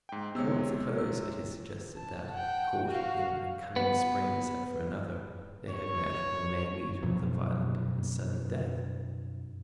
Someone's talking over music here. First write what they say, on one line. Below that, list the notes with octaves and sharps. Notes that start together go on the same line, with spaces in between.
Towards the close it is suggested that, caught in a cunning spring set for another, they have met, or may meet, with a violent and sudden death.
G#2 G5
C3 G#3 B3 C#5 E6
E6
A5
F#5 G5
F#4 F5
B3
C#5
F#2 B2 F3 F#3